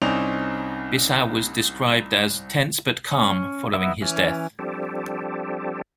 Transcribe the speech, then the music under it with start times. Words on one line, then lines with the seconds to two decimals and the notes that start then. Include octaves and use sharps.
Bissau was described as "tense but calm" following his death.
0.02 C2 C4 C#4 D#4 D5 F7
3.11 C#4
3.74 B3 D#4 E4 E5
4.02 E3 C#4
4.59 F3 G3 C4 D4 G4 A4